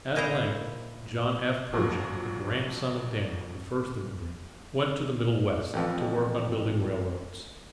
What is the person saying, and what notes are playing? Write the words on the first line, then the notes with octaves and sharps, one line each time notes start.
At length, John F. Pershing, a grandson of Daniel, the first immigrant, went to the Middle West, to work on building railroads.
A#2 D#4 E4 C5 A#5
D2 A#2 F3 F#3
A1 F2